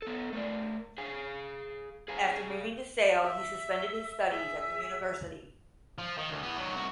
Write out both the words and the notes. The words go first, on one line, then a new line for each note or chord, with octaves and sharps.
After moving to Sale, he suspended his studies at the University.
B3 A4
A3 A#4 D5
G#4 F5 G#5
G#4 F5 G#5 A#5
E5
G#4 E5
F3
D#3
D2
E3 B3
D#3 F#3
C2 F#4